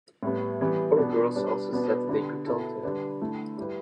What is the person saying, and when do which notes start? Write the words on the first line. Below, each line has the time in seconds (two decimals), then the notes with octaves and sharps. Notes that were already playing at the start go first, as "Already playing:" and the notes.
Other girls also said they could talk to him.
0.23 A2 G3 B3
0.61 E3 G3 B3
0.98 B2 B3 D4
1.35 G3 D4 B4
1.72 B2 B3 D4 B4
2.09 D3 B3 G4 B4
2.46 B2 B3 E4 A4
2.83 D3 G3 D4 B4
3.21 D3 A3 E4
3.58 G3 E4 G4 B4